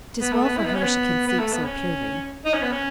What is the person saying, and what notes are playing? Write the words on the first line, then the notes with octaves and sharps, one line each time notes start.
'Tis well for her she can sleep so purely.
B3
A3
B3
E4
B3
C#4
B3
B3
A3
B3
C#4
D#4
C#4
B3
C#4